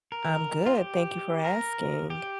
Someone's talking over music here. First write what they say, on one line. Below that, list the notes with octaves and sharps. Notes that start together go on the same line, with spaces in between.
I'm good, thank you for asking.
A#4
F4
G4
A#4
G4